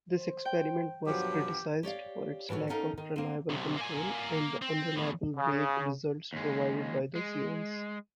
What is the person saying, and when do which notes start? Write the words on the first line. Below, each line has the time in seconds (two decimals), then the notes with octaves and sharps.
This experiment was criticized for its lack of reliable control and the unreliable vague results provided by the seance.
0.12 C5
0.45 G5
1.07 G2 B2 F3 F#3 G4
1.83 G4 C#5 D5 F5
2.49 A2 E3 A3 F#4 C#5
2.69 B3 C#4 D#4 A4 A#4 F5
2.98 D#3
3.16 A#3 C4
3.49 B1 C3
3.77 A#3 G#5
4.62 C4
4.97 E2 A2
5.37 C#3
6.33 D#2 G#3
7.15 G#3